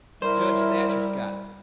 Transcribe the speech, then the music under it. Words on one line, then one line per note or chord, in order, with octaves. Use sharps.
Judge Thatcher's got it.
G3 E4 A#4 C5